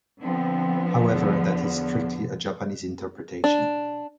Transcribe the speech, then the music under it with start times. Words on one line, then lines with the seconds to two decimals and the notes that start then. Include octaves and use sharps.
However, that is strictly a Japanese interpretation.
0.21 D3 F3 B3 C4
1.03 E2
3.44 D4